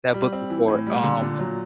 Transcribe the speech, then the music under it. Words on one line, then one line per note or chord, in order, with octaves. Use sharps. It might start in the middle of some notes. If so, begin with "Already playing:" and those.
that book before, um
G3
C4
E3
A2
G3
D3
A#2
F#3